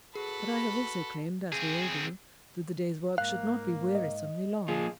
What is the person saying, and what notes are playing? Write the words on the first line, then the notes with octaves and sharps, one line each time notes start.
But I have also claimed, as we all do, that the day's work should not be wearisomely long.
F#4 G#4 A4 B4 B5
C4 G#4
G#2 A#3 F5 F#6
D#5
F3 A#3 F4 G#4